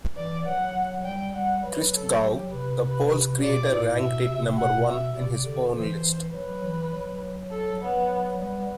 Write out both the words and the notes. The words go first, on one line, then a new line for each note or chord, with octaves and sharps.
Christgau, the poll's creator, ranked it number one in his own list.
E3 D5
F#3 F#5
G3 G5
G3 F#5
F#3 B4
A4
G4
C3 B4
B4
C3
B2 D5
A2
B2 E5
C3
B2 F#5
E5
C3 D5
D3
E3 C5
F#3 B4
E3
F#3
A4
F#3 B3
G3 B3